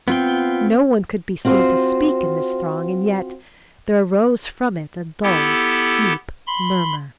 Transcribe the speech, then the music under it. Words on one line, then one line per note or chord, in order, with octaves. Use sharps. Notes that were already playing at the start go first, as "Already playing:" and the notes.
No one could be seen to speak in this throng, and yet there arose from it a dull, deep murmur.
B3 C4 F4 G5
C4 F4 F#4 C5
B3 E4 G4 A4
B5 C6